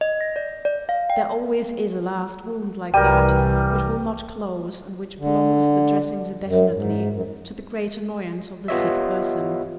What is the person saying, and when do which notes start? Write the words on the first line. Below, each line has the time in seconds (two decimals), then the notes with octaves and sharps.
There always is a last wound like that which will not close, and which prolongs the dressings indefinitely, to the great annoyance of the sick person.
0.01 D#5
0.21 A#6
0.36 D5
0.65 D5
0.89 F5
1.10 G5
2.94 C2 E3 G3 A#4 G5
5.19 D3
6.45 F#2
6.71 G#2
7.12 F#2
8.68 B3 F4 G4 C#5 D#5 E5